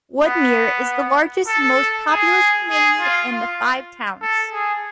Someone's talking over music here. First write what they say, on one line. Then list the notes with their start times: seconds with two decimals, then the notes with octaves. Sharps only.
Woodmere is the largest and most populous community in the Five Towns.
0.24 B3
1.48 A4
2.08 G#4
2.69 G#4
3.00 F4
3.29 F4
4.22 A4
4.52 G#4